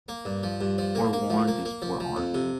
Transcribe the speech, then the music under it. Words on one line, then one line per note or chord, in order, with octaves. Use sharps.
Forewarned is forearmed.
A#3
G2
F3
G2
F3
A#3
A#3
F3
A#3
A#3
F3
F3
F2
C3